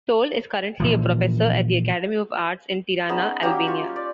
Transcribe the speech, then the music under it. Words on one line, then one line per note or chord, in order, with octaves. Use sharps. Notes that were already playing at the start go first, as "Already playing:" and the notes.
Tole is currently a Professor at the Academy of Arts in Tirana, Albania.
A#2 E3 F3
B3 C#4 D#4 G#4
F#3 A#3 C#4 G4
F4 C#6
D5